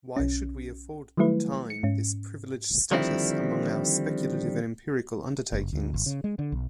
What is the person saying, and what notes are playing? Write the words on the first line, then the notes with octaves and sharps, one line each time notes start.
Why should we afford time this privileged status among our speculative and empirical undertakings?
B1 C#4
D#3 F#3 G3 A3 E4 B4
C#7
G#2 C#4
D3 D#3 F3 G3 C4 E4
F#1
D2
G#1
C#3
G#3
D3
B1